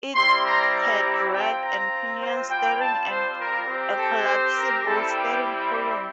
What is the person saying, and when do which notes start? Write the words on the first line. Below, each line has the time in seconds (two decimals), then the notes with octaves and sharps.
It had rack-and-pinion steering and a collapsible steering column.
0.14 G3 C4 E4 G4 C6
0.43 A#5
0.73 A#5
1.31 C4 F4 G5
1.61 A#5
2.21 C5
2.49 G3 C4 F4 G5
2.79 A5
3.09 C5
3.38 A#4
3.68 C4 G4
3.96 A4
4.26 C5
4.56 A#4
4.85 G3 C4 E4 A4
5.14 G4